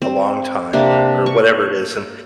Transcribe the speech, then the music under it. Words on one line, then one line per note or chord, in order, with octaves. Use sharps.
a long time or or whatever it is, and,
C4
C3 A#3 D4 C6
C#6